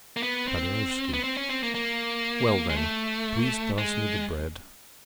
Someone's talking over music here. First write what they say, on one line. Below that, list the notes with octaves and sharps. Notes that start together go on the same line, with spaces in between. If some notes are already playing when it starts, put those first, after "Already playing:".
Paderewski: "Well, then, please pass me the bread."
A#3
B3
C4
B3
C4
C#4
C4
A#3
A#3
G#3
A3
G#3